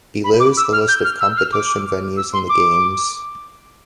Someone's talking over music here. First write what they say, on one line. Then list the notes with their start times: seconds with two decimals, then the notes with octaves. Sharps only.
Below is the list of competition venues in the Games.
0.24 B5
0.40 D6
0.57 E6
0.72 F6
0.88 G6
1.04 F6
1.21 E6
1.37 F6
1.52 D6
2.17 E6
2.33 C6
2.49 D6